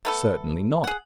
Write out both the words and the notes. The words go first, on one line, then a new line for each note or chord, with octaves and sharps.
Certainly not.
A3 B3 A4
G#4 F#5